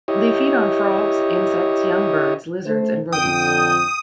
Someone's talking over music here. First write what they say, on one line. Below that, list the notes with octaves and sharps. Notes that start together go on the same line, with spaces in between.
They feed on frogs, insects, young birds, lizards and rodents.
E4 G4 C#5 D#5
A3 C5
F2 D3 G5 D#6